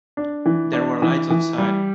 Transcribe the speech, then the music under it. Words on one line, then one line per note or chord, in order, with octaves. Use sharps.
There were lights outside.
D4
E3
D4
E3
E3
G3